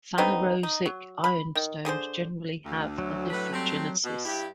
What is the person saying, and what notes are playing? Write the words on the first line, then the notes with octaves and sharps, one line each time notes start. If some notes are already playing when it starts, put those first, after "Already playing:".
Phanerozoic ironstones generally have a different genesis.
D3 B3 C4 D#4
D#4
F#3
B5
D#3
D3 G#4 A4 C5
D2
F#3
A2 D4 B4
G3 A3 C4
B2
G2 E4 G4